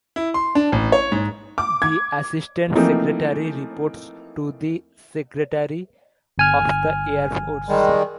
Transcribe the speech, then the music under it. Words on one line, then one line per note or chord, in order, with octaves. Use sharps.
The assistant secretary reports to the secretary of the Air Force.
E4
C6
D4
A1
C#5
G#2
D6
G#6
E3 F3 A3 A#3 C4 D#4
G1 G#5 F6
D#3 G3 G#3